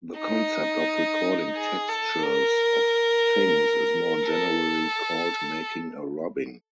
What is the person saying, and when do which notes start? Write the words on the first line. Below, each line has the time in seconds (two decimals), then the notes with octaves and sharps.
The concept of recording textures of things is more generally called making a rubbing.
0.18 D#4
1.55 G#4
1.89 A4
2.23 A#4
4.27 A4